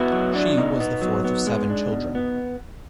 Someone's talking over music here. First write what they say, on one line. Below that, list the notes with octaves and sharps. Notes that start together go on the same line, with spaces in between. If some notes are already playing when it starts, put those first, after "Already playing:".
She was the fourth of seven children.
Already playing: B3 E4 F#4
F#3
D4
B2 D#4
B3
F#3
B3
G#3
D4
B2
B3